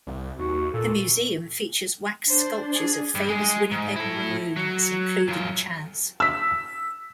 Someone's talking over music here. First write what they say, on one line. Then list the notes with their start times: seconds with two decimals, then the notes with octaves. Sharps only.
The museum features wax sculptures of famous Winnipeg Maroons, including Chas.
0.07 C2
0.39 D#2 F#4
0.74 A#2 A4
2.28 D4 C5
2.74 G#4
3.15 G2
3.29 G#3 G#4
3.71 G#2
3.96 E4 A4
4.56 F#3
5.28 F#2 F4
6.20 E6 B6